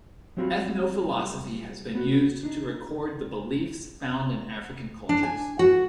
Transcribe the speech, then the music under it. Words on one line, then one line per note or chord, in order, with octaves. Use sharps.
Ethnophilosophy has been used to record the beliefs found in African cultures.
F#3 G3 C4 F4 F#4 B5
B3 F#4
D4 D#4
D4
G#5
F#4